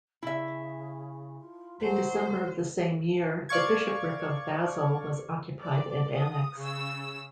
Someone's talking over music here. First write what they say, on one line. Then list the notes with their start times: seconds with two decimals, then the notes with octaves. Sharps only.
In December of the same year the Bishopric of Basel was occupied and annexed.
0.23 C#3 E4 E5
1.40 F4
1.80 F#3 C5
3.49 D5 F5 C#6 G#6
5.61 D5
6.14 D#6
6.58 C#3 E6